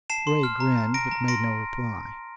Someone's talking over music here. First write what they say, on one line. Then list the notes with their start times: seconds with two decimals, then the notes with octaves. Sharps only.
Ray grinned, but made no reply.
0.10 A5 C7 E7
0.27 C6
0.43 F6
0.60 A#5
0.78 A#5
0.94 A#5 A#6 D7
1.11 A#5
1.28 C6 A#6 D7